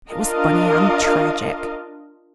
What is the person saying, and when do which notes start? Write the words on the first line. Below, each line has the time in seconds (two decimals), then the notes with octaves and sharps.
It was funny and tragic!
0.11 D4 F4 A#4 D#5 F5